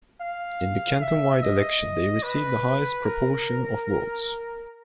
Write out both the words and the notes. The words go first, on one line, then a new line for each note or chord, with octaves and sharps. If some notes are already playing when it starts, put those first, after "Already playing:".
In the canton-wide election they received the highest proportion of votes.
F5
E5
D#5
B4
A#4